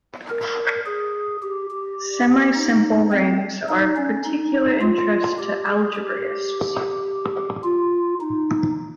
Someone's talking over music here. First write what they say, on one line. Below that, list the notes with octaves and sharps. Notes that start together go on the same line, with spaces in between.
Semisimple rings are of particular interest to algebraists.
A#4
G#4
G4
G4
D#4
C4
D#4
C#4
D#4
F4
G4
G#4
G4
F4
D#4